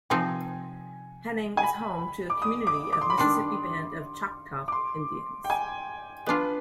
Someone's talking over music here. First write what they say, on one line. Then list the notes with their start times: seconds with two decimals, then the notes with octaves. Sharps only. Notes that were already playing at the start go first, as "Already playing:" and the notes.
Henning is home to a community of Mississippi Band of Choctaw Indians.
0.10 C3 F3 C4 D#4 G#5
1.57 G#5
1.64 B5
2.30 D6
2.42 D#6
2.67 D6
2.93 D6
3.01 C6
3.10 B5
3.18 D#3 G3 D4 C6
4.68 D6
4.72 C6
5.44 G5
5.50 G#5
6.26 B3 D4 F4 B4